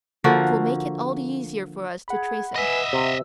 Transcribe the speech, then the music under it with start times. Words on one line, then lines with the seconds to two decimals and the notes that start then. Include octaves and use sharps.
It will make it all the easier for us to trace him.
0.24 D3 F3 A#3 F#4
2.08 G#4 F#5 B5
2.56 B4 D#5 E5 G#5
2.93 C3 E6